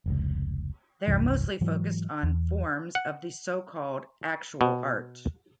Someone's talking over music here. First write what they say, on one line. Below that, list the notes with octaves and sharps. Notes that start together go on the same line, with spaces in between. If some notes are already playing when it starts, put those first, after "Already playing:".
They are mostly focused on forms of the so-called "actual" art.
F1 C#2
F1 C2 G2 E3
G#2 E3 F#3
E2
F#5
B2